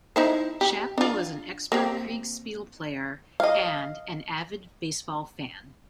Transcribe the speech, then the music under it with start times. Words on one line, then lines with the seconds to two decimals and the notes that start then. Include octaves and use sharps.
Shapley was an expert Kriegspiel player, and an avid baseball fan.
0.16 D#4 E4 C5
0.61 G4
0.98 D4 F4
1.72 A#3 C4 G4
3.40 D#5 F5